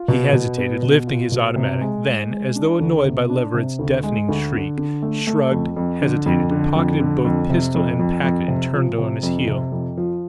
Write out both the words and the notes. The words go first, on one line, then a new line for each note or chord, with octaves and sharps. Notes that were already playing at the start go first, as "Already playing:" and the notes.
He hesitated, lifted his automatic, then, as though annoyed by Leverett's deafening shriek, shrugged, hesitated, pocketed both pistol and packet, and turned on his heel.
Already playing: F4
B2
B2
B3
B2
F4
B2
C3
G#3
G#3
G#3
D4
D2
C3
D4
C3
D2
G#3
D2
D3
D3
A3
A3
F2
F2
D3
F2
D3
F2
D3
F2
C3
F2
F2
F2
C3
F3
C3
F2
C3
F2
F3